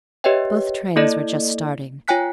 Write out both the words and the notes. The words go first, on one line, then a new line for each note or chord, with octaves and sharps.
Both trains were just starting.
G4 B4 C#5 D#5 E5 G5
A#3 E4 A4 D5 D#5
F4 C#5 G5 G#5 F#6 B6